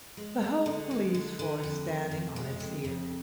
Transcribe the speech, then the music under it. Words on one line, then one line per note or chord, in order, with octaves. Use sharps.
The whole police force standing on it's ear.
G#3
G#3
D3
G#3
D3
D3
F2
F2
F2
G#3
F2
F2